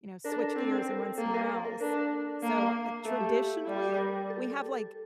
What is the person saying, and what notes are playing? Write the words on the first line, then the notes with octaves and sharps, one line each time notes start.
you know, switch gears and run somewhere else. So, uh, traditionally, we have, like,
D4 A#4
A4
A#4
C4 A4
A#4
A#3 A4
A#4
A4
A#4
D4 A#4
A#3
A3 A4
G4
G3
A#4
A4
A4